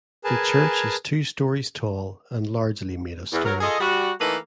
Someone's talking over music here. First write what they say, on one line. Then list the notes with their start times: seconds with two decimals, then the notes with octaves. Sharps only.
The church is two stories tall and largely made of stone.
0.24 G#4 A#4 B4 G#5 A5
3.32 E2
3.45 F#3 A#4
3.61 F4 G#4 A4 D#5
3.80 G3 F#4
4.20 E3 A3 A#3 D#4 A4 B4